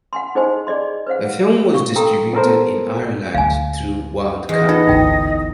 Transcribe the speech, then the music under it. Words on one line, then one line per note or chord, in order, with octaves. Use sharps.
The film was distributed in Ireland through Wildcard.
F#5 G#5 C6
D#4 G#4 C5 D#5 G#5 C6
G#4 D5 D#5 C6
B4 C5 F5 F#5
F5 C#6
D4 A4 A#4 G5 A#5 C6
B3 A4 A#4 C5
D2 F5 G#5
E2 D#5
D#4 F4 A4
G#1 D2 D#4 G5